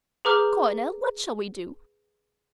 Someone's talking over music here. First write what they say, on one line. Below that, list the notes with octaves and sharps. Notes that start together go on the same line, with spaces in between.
Coronel, what shall we do?
G#4 B4 A#5 D6 F6 G6